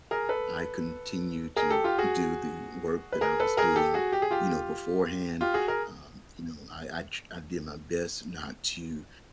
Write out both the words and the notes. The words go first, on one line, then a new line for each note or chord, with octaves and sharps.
I continue to do the work that I was doing, you know, beforehand, um, you know, I I tr I did my best not to,
G#4 A#4
A4 B4
G#4 A#4
G4 A4
F4 G4
F#4 G#4
B4
G#4 A#4
A4 B4
G#4 A#4
G4 A4
F#4 G#4
G4
G#4
F4 G4
F4 G4
F#4 G#4
G#4 A#4